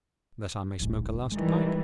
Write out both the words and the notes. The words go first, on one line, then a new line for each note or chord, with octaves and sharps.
'That I may smoke a last pipe.'
D1 A#1 G#2
D#3 E3 G3 G#3